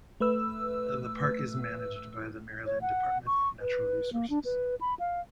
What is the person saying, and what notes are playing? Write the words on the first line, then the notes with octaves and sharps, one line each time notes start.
The park is managed by the Maryland Department of Natural Resources.
A3 B4 E6
C#5
F#5
C#6
B4
A#3
D4
B4
B5
F5